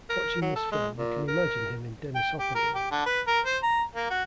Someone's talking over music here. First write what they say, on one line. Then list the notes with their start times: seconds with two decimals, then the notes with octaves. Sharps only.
Watching this film, you can imagine him in Dennis Hopper roles.
0.10 A#4
0.42 F#3
0.56 A4
0.72 G#3
0.98 A#2
1.28 A#4
2.15 G5
2.39 G4
2.55 A#4
2.75 G4
2.91 D3
3.06 B4
3.27 A#4
3.45 C5
3.63 A#5
3.95 A#3
4.10 F#4